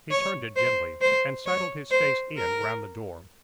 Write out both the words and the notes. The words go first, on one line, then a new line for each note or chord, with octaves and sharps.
He turned it gently, and sidled his face in round the door.
C#5
C5
C5
C#5
C5
A#4